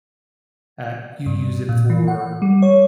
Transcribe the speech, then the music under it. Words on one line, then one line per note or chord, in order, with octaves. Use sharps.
uh, you use it for
G2
A#2
E3
F#5
G3
C#5